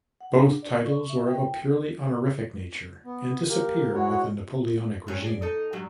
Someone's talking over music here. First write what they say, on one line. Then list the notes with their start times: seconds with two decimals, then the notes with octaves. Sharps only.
Both titles were of a purely honorific nature and disappeared with the Napoleonic regime.
0.21 F#5
0.35 D4
0.62 D5
0.86 C#6
1.09 E5
1.27 G5
3.04 B3
3.49 A#3 G4 A#4
3.93 G#2 G#3 E4 F#4 C#5
5.07 D2 G2 C#4
5.22 G#4 D5
5.42 D#4 A4
5.73 G2 F#3 G3